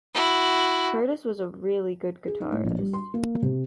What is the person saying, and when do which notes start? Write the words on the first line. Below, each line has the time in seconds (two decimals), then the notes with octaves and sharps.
Curtis was a "really" good guitarist ...
0.14 E4 F#4
2.28 G#4
2.40 D#4
2.52 A2
2.64 A#1
2.78 G3
2.93 C6
3.14 A#3
3.42 C3